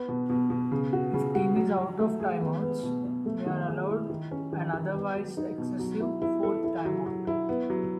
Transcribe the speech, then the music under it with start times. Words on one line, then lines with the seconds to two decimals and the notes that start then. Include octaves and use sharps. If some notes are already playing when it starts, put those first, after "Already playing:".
If a team is out of timeouts, they are allowed an otherwise-excessive "fourth timeout".
Already playing: B3
0.09 B2
0.30 B2
0.50 B2
0.72 C#3
0.93 F#4
1.14 C#3
1.35 F#4
1.56 F#3
1.77 F#3
1.99 A3
2.20 G#4
2.41 B3
2.62 B3
2.83 B2
3.05 B2
3.26 A3
3.46 D#3
3.68 G#4
3.89 E4
4.10 D#3
4.31 C#4
4.53 D#3
4.73 D#3
4.94 B3
5.16 F#3
5.37 D#4
5.58 B2
5.79 F#3
6.00 E4
6.22 E4
6.43 A4
6.64 E4
6.85 F#3
7.06 F#3
7.27 E4
7.49 B3
7.70 F#3